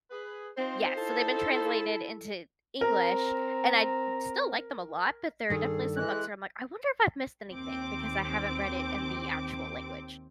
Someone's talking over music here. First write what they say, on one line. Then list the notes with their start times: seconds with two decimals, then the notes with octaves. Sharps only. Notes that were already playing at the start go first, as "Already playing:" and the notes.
Yes, so they've been translated into English, and I still like them a lot, but there are definitely some books where I'm like, "I wonder if I've missed anything because I haven't read it in the actual language."
0.11 G#4 B4
0.57 C4 D#4 F4 C5
0.98 E4 A4 A5
2.81 C4 A#4 A#5
5.50 G2 D#3 G#4 A4
5.96 E3 G#3 F#6
7.51 D#2 C4 D6